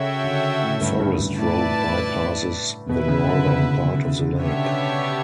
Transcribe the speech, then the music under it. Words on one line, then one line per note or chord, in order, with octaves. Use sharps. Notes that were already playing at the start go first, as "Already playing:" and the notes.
A forest road bypasses the northern part of the lake.
Already playing: C#3 F#4 A4 C#5 E5 G5
D3
A2
G2
G2
G2
A2 E4 B4 D5 A5
B2 E4 B4 E5
C#3
D3
C#3
B3 D4 G4 C#5 E5